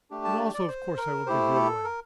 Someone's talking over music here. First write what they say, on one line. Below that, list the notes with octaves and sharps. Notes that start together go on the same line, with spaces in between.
And also of course I will give you away.
A3 D4 G4
A5
D5
D5
C5
A#4
A3 E4 G4 C5
A4
A#4